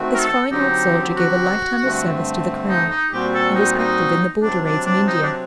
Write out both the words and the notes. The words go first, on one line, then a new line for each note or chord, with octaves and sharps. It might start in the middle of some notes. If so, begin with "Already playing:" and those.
This fine old soldier gave a life-time of service to the crown, and was active in the border raids in India.
Already playing: D#3 A3 C4 F#4
A#4
A4
D3 F#3 C4 D#4 G4
F#4
G2 D3 A3 C4
D#4
D#4
A#2 G3 C4 F#4 G4
A4
D#4
D#4
C3 F#3 C4 D4
D4
D4
D#4
D4